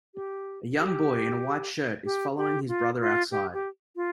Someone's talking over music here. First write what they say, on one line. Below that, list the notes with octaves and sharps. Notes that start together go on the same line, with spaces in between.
A young boy in a white shirt is following his brother outside.
G4
G4
G4
G4
F4
F4
G4
G4
F4